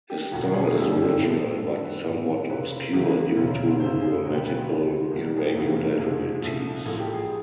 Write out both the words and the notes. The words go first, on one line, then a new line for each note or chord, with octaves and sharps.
His style is original, but somewhat obscure due to grammatical irregularities.
G4
E1 D#2 D3 F3 F#4
F#4
G#4
G#4
G1 F#2 D3 G3
G4
A#1 A2 F#3 A4
A4
F#2 D#3 G3 A4
B4
A1 G#2 D#3
F1 F2 C#3 B4
E2 C#3 E3
E1 D2 C#3 F#3
G1 F#2 C#3 C5
G#4
E1 D2 C#3 F#3 F#4
G4
B4
F#4
D2 C3 F3
E2 B2 G3 A#3
G#4
G4
F1 E2 C#3 E3 G#3 F#4
F#1 F2 C3 F3 G#3 G#4
C2 A#2 F3 A3
A1 G#2 F3 A#3 A4
G4
G#4